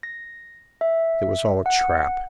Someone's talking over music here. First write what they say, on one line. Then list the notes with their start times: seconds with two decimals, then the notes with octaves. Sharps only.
It was all a trap.
0.03 A#6
0.81 E5
1.66 F#5